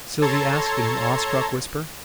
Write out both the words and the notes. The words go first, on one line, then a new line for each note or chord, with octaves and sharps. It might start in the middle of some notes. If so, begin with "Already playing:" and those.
Sylvie asked in an awestruck whisper.
A4 C#5 A5 A#5 C6 G#6